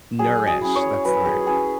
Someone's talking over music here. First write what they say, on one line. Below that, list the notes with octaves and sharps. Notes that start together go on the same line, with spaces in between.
nourish, that's the word,
F#3 G#4
G#4
C#4 E4
C#5
F#3 B4
G#4
C#4 E4 G#4